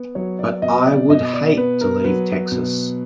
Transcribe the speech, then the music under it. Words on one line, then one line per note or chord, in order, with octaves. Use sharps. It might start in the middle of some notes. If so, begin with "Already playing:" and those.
But I would hate to leave Texas.
Already playing: B3
F#3 C#5
D5
B2 D#5
D5
B2 D#5
D5
B3 B4
A#4
F#3 B4
B2